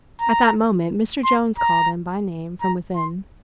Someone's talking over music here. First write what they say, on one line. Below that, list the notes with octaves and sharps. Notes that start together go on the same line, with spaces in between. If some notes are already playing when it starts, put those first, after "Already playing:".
At that moment Mr. Jones called him by name from within.
A#5
C6
A#5
A#5
C6